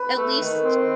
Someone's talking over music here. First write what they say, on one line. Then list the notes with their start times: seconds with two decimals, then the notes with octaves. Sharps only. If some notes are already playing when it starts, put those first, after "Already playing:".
at least,
Already playing: B4
0.17 A3
0.40 D#3
0.64 C4